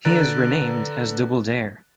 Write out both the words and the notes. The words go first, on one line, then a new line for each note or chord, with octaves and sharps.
He is renamed as Doubledare.
D3 B4 A#5 F#6 A6 D7